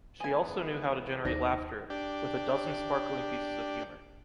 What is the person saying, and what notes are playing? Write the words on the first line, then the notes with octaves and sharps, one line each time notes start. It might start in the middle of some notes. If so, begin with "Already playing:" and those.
She also knew how to generate laughter, with a dozen sparkling pieces of humor.
E3 G#3 B3 G#4 G#5
D#2 D4 D#4 C5 A#6
D4 G4